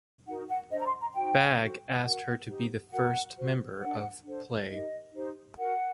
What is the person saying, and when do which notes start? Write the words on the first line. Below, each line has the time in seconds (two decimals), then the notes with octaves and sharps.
Bagge asked her to be the first member of Play.
0.26 D#4 F#4 A#4 F#5
0.49 F#5
0.71 D4 A4 C5 D#5
0.79 A#5
0.86 C6
1.00 A#5
1.15 D#4 F#4 C5 G5
1.59 F#4 A4 C5
2.03 F#4 A#4 F#5
2.47 D#4 G4 C5
2.92 F#4 A#4 F#5
3.36 F#4 C5
3.80 D4 G4 A#4 F#5
4.24 D4 A4 C5
4.69 D#4 G4 A#4 D#5
5.13 D#4 G4 C5
5.57 F#4 A#4 F#5